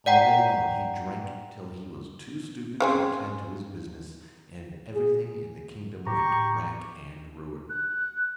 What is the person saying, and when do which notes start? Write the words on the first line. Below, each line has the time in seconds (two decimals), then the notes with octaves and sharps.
All day long he drank till he was too stupid to attend to his business, and everything in the kingdom went to rack and ruin.
0.06 D5 F#5 G5 A#5
2.80 C#3 C4 G#4
4.94 G#4
6.07 A2 G4 A#5 C#6
7.69 F#6